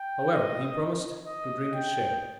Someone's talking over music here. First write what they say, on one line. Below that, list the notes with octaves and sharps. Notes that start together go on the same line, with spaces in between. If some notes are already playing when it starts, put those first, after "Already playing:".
However, he promised to drink his share.
Already playing: G5
D#5
D#5
G5